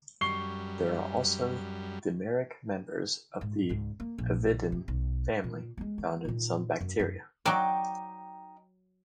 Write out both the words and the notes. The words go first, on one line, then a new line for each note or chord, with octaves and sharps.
There are also dimeric members of the avidin family found in some bacteria.
F#2 G3 C#6 C7 G7
G#2
C#2 G#2
A#3
A#1
C3
B1
A#2
G#3 A#3
D#3
A#2 D#3
F#2
F#2 E4
F#3 D#4 D5 G5 D6